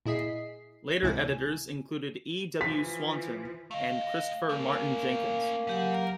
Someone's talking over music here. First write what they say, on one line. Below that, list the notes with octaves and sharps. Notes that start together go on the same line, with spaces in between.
Later editors included E. W. Swanton and Christopher Martin-Jenkins.
A#2 E4 G#4 D#5 B6 C7
C#2 G#2 C3 E3 E4 G#5
E3 F3 B6
A3 D#5 F5
A3 A#3 C#4
C#3 F#3 G4 F#5
A#4